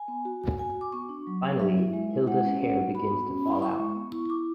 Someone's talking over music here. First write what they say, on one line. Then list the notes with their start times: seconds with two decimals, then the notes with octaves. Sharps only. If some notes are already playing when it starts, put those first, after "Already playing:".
Finally, Hilda's hair begins to fall out.
Already playing: G#5
0.08 B3
0.25 F#4
0.41 F#4
0.59 F#4 G#5
0.70 G#5
0.75 F#4
0.81 D6
0.92 B3 C#6
1.09 D4
1.27 F#3
1.43 F#3
1.59 F#3 E5
1.77 E4
1.93 G#3
2.10 E4
2.27 G#3 F#5
2.45 C#4
2.61 F#4
2.78 B3
2.95 F#4 B5
3.12 B3
3.28 C#4
3.46 E4
3.62 E4 C#6
3.79 G#3
3.95 B3
4.12 E4
4.29 E4 D6